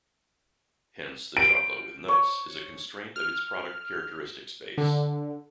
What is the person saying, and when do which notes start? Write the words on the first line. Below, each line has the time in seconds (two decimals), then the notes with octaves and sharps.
Hence, the chocolate with nuts is a constraint of its product characteristic space.
1.37 D7
2.08 C#5
3.16 F6
4.78 D3